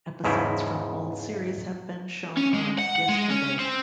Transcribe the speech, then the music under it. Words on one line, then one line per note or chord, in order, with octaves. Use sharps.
Episodes from old series have been shown on Yesterday.
E2 G#2 C#3 F3 E4
C#4
G#3
F#5
F#5
G#3
C#4
C4